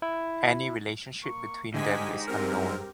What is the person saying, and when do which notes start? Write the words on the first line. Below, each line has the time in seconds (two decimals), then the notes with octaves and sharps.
Any relationship between them is unknown.
0.02 E4
1.22 A#3 C#6
1.74 G#2 D3 G#3 G4 D#5 G#5 B6
2.27 G2 C4 G4 A#4